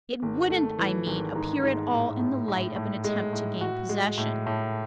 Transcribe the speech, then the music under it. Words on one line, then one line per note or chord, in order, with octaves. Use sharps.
It wouldn't, I mean, appear at all in the light of an attempt to gain possession.
G#1
A3
E3
G#1
G#2
G#2
A2
A2
A2
A2
G#3
A2
F#4
G#3
A2
A2